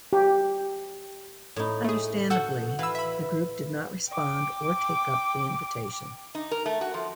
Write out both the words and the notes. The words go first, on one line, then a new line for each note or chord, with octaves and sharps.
Understandably, the group did not respond or take up the invitation.
G4
A2 D#4
A3 G#4
F#4 A4 F#5 G6
E3 B4 F5 E6
E5 B5
G5 D6
D#4
A#4
A3
F#4
F3